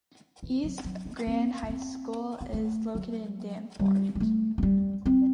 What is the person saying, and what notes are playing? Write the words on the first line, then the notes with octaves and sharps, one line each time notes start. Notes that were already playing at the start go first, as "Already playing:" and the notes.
East Grand High School is located in Danforth.
E3
F#3
F#3
D#4
C4
D#4
C4
B3
A3
F#3
G3
G3
A3
A3
G3
C4